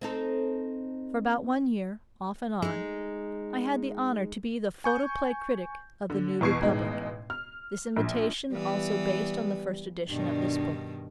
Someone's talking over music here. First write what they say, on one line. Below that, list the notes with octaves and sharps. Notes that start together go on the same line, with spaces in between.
For about one year, off and on, I had the honor to be the photoplay critic of The New Republic, this invitation also based on the first edition of this book.
C4 D#4 A4
G#3 D#4
G#5 C#6 G6
D3
E2 B2 C#6 G#6 C7
A1 B2 G#3 D#4
F6
A#1
E3 G3 B3 B4
G2 B2 D#3 D4